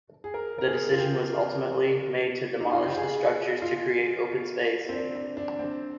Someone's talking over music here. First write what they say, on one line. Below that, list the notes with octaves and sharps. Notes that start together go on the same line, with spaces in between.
The decision was ultimately made to demolish the structures to create open space.
G#4
A#4
A#4
G#4
F4
G4
A#4
D#4
F4
G4
G#4
F4
C4
D4
C4
D4
C4